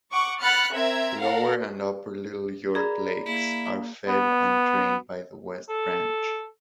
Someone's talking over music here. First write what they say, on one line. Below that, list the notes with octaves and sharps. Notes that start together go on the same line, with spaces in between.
Lower and Upper Little York Lakes are fed and drained by the West Branch.
F#5 C#6 D6
F#5 B5 F6 F#6 A6 C#7
C4 A#4 E5 G#6
A4 A#4 F5 F#5
G#4 D5 A#5 B5
A#3 E4
B3
A4